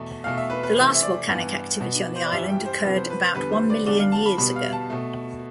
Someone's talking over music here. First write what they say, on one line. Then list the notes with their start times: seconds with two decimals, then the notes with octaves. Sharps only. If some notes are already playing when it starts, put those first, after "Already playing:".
The last volcanic activity on the island occurred about one million years ago.
Already playing: E2 B2 A3
0.24 E2 B2 A3 F5
0.37 E5
0.50 B4
0.63 B4
0.76 C3 E3 A3 C5
0.94 E5
1.02 D5
1.28 G2 E3 B3
1.80 B2 B3
2.16 C5
2.24 D5
2.32 G2 E3 G3 E5
2.49 G5
2.65 C5
2.83 C3 F3 B3 B4
2.96 C5
3.10 B4
3.35 E2 D3 G3 B3 B4
3.52 C5
3.70 D5
3.86 E2 D3 G3 B3 D5
3.99 F5
4.12 A5
4.26 B5
4.38 B2 G3 B3 B5
4.56 F5
4.73 A5
4.90 B2 A3